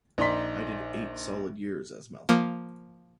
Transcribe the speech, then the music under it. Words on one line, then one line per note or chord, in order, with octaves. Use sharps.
I did eight solid years as Malcolm.
A#1 D#4 D5 A#5 C6 B6
F3 A#3